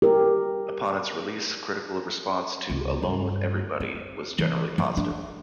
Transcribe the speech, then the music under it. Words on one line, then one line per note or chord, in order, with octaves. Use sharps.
Upon its release, critical response to "Alone with Everybody" was generally positive.
G4 A#4
C#2
G2
C4
E3
F3
D4